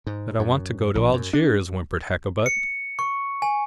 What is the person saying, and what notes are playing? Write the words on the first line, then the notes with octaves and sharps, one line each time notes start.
"But I want to go to Algiers," whimpered Hakkabut.
G#2
F#2
A#1
F#2
D4
C#7
C#6
G#5